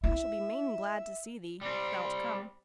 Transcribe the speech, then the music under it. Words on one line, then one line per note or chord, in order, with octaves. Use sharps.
I shall be main glad to see thee; if thou'lt come.
E4 E5
G3 C4